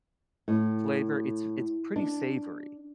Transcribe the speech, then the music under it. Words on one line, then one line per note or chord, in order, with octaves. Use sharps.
flavor. It’s it’s pretty savory,
A2
D4